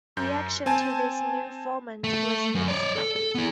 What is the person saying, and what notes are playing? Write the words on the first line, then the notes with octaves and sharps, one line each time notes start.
Reaction to this new format was mixed.
F#2 G6
C4 G#5 A5
A3
F#2
C#5 D5
A4
A4
B3 E4